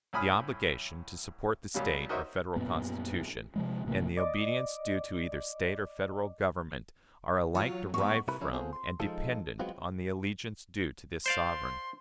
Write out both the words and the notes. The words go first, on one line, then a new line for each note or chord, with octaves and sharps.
The obligation to support the State or Federal Constitution and the obedience due to either State or Federal Government are alike derived from and dependent on the allegiance due to this sovereign.
C2 A2 G#5 B5 D#6 F6
C#2 F#3 G3 A#3
D#4 F#4 A#4 C5 C#5 E5
F#2 A#2 B3
C3 F3 G#3
A1 C3 A3 A#3
D5 D#5 D6
F#3 F4 C#5
G#2 A#3 B3 C#6
C2 C3 E4 A#4 B4 B5
D3 F3 C#4 D#4 E4
B3 C4 F4 G#4 A4 C5
C6
F3 G#3 D#4 F4 A4
F#3 G#3 B3 C4 F4 F#4
C5 D5 F5 C6